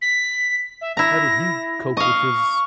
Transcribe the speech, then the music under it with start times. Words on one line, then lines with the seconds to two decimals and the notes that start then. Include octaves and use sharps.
how did he cope with his
0.02 B6
0.81 E5
0.97 E4 A#5 A#6
1.97 D#5 F5 C#6